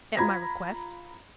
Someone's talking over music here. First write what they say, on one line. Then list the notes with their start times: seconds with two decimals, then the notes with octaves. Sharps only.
At my request.
0.17 F4 A#5 B5 G#6 A#6